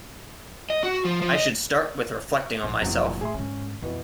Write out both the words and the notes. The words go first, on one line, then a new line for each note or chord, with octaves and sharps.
I should start with reflecting on myself.
D#5
F#4
F3
F3
D#5
A#1
F1 A#1 E3 F#3
A2 G#4 E5 C6
G#2 D3 C#4
F2 B2 E3 B3